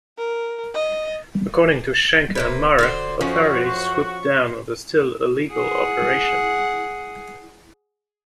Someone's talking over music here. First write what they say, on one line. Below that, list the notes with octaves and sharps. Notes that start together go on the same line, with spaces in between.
According to Schanke and Marra, authorities swooped down on the still-illegal operation.
A#4
D#5
C3 A#3 B4
D3 F#4 C5 C6
F#2 F3 C#4 F#4 C5 C#6
C#6
G#4 F#5